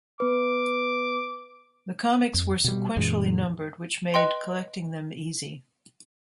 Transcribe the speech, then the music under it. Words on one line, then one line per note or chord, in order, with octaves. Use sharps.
The comics were sequentially numbered which made collecting them easy.
B3 B4 D6
F2
B2 G3
F#2 A#2 E3 G#3
B4 D#5 G5 C6